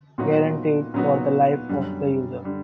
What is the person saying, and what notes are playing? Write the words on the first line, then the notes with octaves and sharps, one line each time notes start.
Guaranteed for the life of the user!
A#2 F#3 B3 D#4 F#4
A#2 F#3 B3 D#4 F#4
F#2 D3 G3
D3 G3